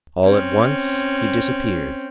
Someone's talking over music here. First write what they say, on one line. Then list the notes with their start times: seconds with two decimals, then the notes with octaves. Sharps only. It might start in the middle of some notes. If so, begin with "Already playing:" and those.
All at once he disappeared.
0.25 C4 C#4